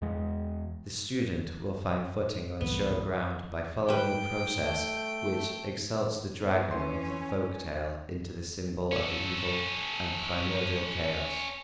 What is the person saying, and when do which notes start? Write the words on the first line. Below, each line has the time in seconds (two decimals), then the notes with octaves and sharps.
The student will find footing on surer ground by following the process which exalts the dragon of the folk tale into the symbol of evil and primordial chaos.
0.02 E2 G#3
2.61 C2 G#2 E3 B3
3.89 G3 B4 G5
4.60 A3
6.40 B3
6.71 E3 C#4 C6
7.29 G#5
8.92 C#4 A4